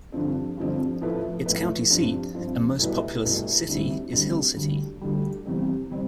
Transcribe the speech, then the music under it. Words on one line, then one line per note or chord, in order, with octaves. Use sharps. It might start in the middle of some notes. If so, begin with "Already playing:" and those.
Its county seat and most populous city is Hill City.
G2 D3 F3 C4
G2 D3 F3 C4
A2 F3 A3 E4 B4
A2 F3 A3 E4 B4
G2 F3 C4
G2 F3 C4
C2 B2 A3 E4 B4
C2 B2 A3 E4 B4
D2 D3 G3 C4 E4
D2 D3 G3 C4 E4
D2 D3 G3
D2 D3 G3
E2 C3 G3 C4
C3 G3 C4